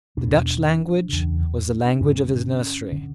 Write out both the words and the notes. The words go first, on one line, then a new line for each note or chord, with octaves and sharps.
The Dutch language was the language of his nursery.
E2 B2 D4
E2 C#3
G2 D3 C#4
D3